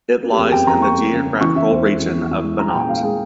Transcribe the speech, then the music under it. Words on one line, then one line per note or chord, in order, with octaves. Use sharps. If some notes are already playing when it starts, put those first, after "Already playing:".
It lies in the geographical region of Banat.
A#3
F2 G4
G#4
F2 G5
F2 A#5
A#3 C#6
A#3
C#3
C#3
E3 C#6
E3 E5
E2 C5
G#3
E2
E2
E3
G#3
G#3 A#5
G5
A#2
G5
A#2 F5
G#3 G#4